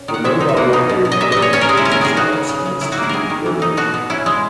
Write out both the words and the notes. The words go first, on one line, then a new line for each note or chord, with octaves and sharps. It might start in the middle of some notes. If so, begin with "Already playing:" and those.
The Mobile Library made over forty stops in its two week rotation.
Already playing: A#2 C#4
D#3
F#5
G#3 E5
D#4
E5
A#3 F#5
D#4
B2
B2
D#5
A#2 E5
A#2 D#5
C#5
C#4 C#5
A#4
G#3 G#4
E4
C#4
A#4
D#3 G#4
D#4 F#4
C#3
C#3
C#3
D#3 E4
F#4
A#3
E4
D#3 G#4 A#4
D#3
E3
D#4
B2 F#4
B2
C#4 E4
G#3